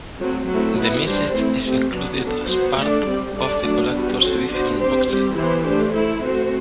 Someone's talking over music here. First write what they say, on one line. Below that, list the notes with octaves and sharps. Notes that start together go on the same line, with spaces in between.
The message is included as part of the collector's edition box set.
F#3 A3 C4
F#3 A3 C4 E4 A4
B3 E4 B4
E3 G3 D4 G4 C5
A3 C4 E4
A3 C4 G4
F#3 B3 D4
B3 D4 A4
F#3 B3 F#4 C5
A3 D4 A4 D5
G3 C4 G4
G3 D4 A4 D5
F#3 A3 D4 F#4
G3 B3 F#4
F#3 C4 F#4 A4
B3 D4 F#4 C5
C4 G4 C5
G3 C4 G4
E3 B3 E4 G4 C5
A3 D4 G4 C5
A3 E4 A4
A3 C4 F#4 C5